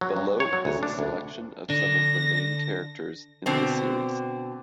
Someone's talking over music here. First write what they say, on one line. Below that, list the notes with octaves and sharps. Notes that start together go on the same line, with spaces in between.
Below is a selection of some of the main characters in the series.
F#3
G2
C#5
F#3
D2
D4
D2
D3 D4 A#6
B2 D3 C4